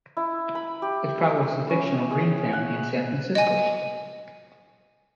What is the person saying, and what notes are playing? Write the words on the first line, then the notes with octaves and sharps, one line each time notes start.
It follows the fictional Green family in San Francisco.
E4
B5
G4
C#4
G#4
F#5
D#5 G#5